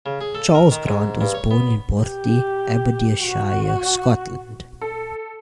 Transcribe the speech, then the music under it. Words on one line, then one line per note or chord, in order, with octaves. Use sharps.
Charles Grant was born in Bourtie, Aberdeenshire, Scotland.
C#3
G#4
A4
A#4
D#3
G#2
G2
C#5
B3
G4
F#4
A4